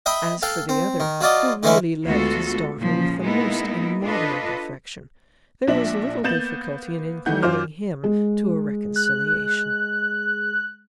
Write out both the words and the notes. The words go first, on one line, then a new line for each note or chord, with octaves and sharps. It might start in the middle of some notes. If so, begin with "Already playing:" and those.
As for the other, who really loved his daughter with the most immoderate affection, there was little difficulty in inclining him to a reconciliation.
D#5 E5 G5 B5
A4 F5 G5
C4
D#3
F#3 F4 D5 D#5
D3 E3 G#3 C#4 E4
D2 G#3 B3 F4 F#4 A4
A#2 C#3 F3
G#3 A#3 B3 D#4 E4
D4 F4 A4 B4 D#5
A#1 F3 D4 E5 F#7
A#3 B3 G6 A6 E7 F#7
D#3 E3 A3 F#5 G6
F#2 F#3 F4 C5 D6 F6
G#3
F#6